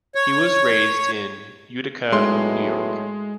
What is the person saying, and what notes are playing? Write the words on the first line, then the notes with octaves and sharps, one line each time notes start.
He was raised in Utica, New York.
C#5
B1 A2 G#3 C6